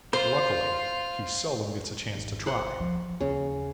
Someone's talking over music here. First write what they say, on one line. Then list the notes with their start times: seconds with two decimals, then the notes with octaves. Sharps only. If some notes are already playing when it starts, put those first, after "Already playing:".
But, luckily, he seldom gets a chance to try.
0.13 F4 C5
2.15 G#1
2.46 C5 F#5 C6
2.80 F3
3.21 D#2 C#3